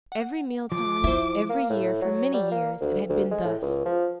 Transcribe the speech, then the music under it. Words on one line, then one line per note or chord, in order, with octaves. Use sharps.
Every mealtime, every year, for many years, it had been thus.
F#5
F3 D6
E4 C5 E5
A#3
A2
F#3
G3
A#3
D2
D2
G#3
A2
C#2
F3